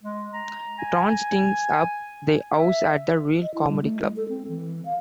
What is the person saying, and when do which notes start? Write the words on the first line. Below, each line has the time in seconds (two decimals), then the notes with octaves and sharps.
Tron stinks up the house at a real comedy club.
0.03 G#3
0.33 A#5
0.78 G#5
2.59 E5
3.42 D#5
3.54 E4
3.68 G3
3.81 A3
4.00 G#3
4.16 A4
4.29 C4
4.48 E3
4.85 F5